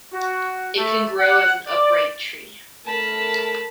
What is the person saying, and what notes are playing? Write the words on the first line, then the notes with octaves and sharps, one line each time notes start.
It can grow as an upright tree.
F#4
A3
F#5
D5
A3 A#4 A5 B5